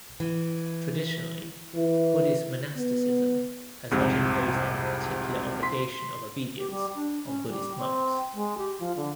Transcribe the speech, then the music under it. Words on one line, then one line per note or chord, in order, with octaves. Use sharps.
Traditionally, Buddhist monasticism has not imposed any particular obligation of obedience on Buddhist monks.
E3
E3
B3
C2 F2 G#2 C3
C6 B6
G4
G3
D4
C#4
G3
C4
G#3
G4
F3
D3